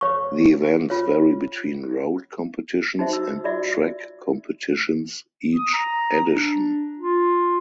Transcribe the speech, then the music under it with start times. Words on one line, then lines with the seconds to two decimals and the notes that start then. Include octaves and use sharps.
The events vary between road competitions and track competitions each edition.
0.01 C#5 C#6
0.90 F4 C#5
2.99 D#4 F#4 C5 E5
3.13 E6
3.44 F4 F#4 D5 E5
5.56 D#6
5.73 A#5
6.30 D4
6.99 F4